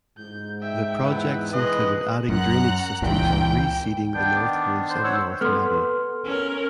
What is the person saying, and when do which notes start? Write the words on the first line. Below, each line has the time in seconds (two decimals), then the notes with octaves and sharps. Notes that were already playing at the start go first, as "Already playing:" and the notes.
The projects included adding drainage systems and reseeding the North Woods and North Meadow.
0.18 G#2 G6
0.62 E5 G5
1.05 E2 B3
1.53 E2 G#3 G#4 B4 D#5 F#6
2.29 F#2 F#5 A#5 F#6
3.02 C#2 A#2 E3 G5
4.14 D#3 B3 D4 G5
4.36 D6
4.90 C5
5.04 C5 C#5 F#5 E6
5.41 B3 A4 C6 F6
6.24 C#4 A#4